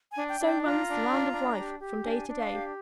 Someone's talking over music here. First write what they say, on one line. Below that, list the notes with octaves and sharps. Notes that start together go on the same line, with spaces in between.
So runs the round of life from day to day.
G#5
D4
G5
D4 G5
F4 A#5
D4
F4
D4
G4
G4
D4 G#5
D4
F5
G4